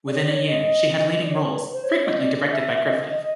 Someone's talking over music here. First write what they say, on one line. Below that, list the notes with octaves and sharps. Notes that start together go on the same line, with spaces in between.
Within a year, she had leading roles, frequently directed by Griffith.
D5
C#5
D5
C#5
D#5
D#5
D5
C#5
B4
C5
C#5
D#5
D5
E5
E5
D#5
D#5